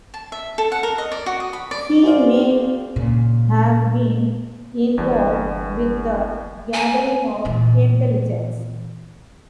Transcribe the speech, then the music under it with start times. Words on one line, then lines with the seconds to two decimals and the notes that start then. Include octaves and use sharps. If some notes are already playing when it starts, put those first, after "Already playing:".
He may have been involved with the gathering of intelligence.
0.14 A5
0.32 E5
0.58 A4
0.72 F#5
0.83 A#4
0.98 D#5
1.12 D5
1.26 F#4
1.40 D#6
1.53 B5
1.71 D5
2.03 F#4 G#4 A#4 C5 D5 F5
2.96 A#2 C#3
4.98 G1 E2 G3 A3 D4
6.73 G#5
7.45 A#2 E3